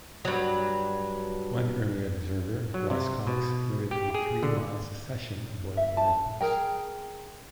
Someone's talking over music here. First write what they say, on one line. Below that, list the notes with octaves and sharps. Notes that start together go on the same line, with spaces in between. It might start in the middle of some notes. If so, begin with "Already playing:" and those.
One early observer, Ross Cox, noted a three-mile succession of boiling whirlpools.
G2 F#3
F#3
C3
B2
G4
G#4
D3
E5
A5
G#4 A#4 G5